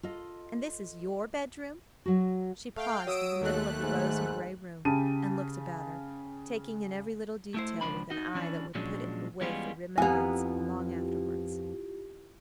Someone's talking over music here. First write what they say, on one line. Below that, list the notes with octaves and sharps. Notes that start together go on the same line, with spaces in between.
"And this is your bedroom!" she paused in the middle of the rose-and-gray room, and looked about her, taking in every little detail with an eye that would put it away for remembrance long afterwards.
F4 A4 D#5
F#3 F#4
A3 F5 G5
F#3 D#6 E6 D7
D#2 A3 F#6
G#2
C#3 G4 A5 D#7
A3 E4 C5
C#2 F3 D4 C5 B5
D#4 F#4
E3 C#4 D4
A#2 F3 F#3 G#3 C#4 D4
E3 G3 G#3 B3 C#4 F4
F2 B3 E4 F4 G4 G#5 A#5